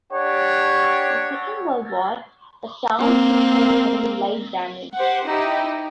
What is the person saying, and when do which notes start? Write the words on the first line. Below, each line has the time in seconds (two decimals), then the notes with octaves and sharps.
In the Second World War, the town sustained only light damage.
0.12 D4 G4 C#5 F#5
3.00 A#3 C4
4.95 G4 C5 F#5
5.26 D#4 E4 G4